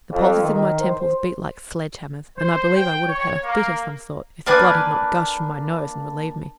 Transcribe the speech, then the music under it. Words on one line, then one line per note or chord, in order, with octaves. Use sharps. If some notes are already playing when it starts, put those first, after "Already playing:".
The pulses in my temples beat like sledge-hammers, and I believe I would have had a fit of some sort if the blood had not gushed from my nose and relieved me.
F2
D#3
C5
C5
G5
C#5
A#3
A#3 D4 B4 G#5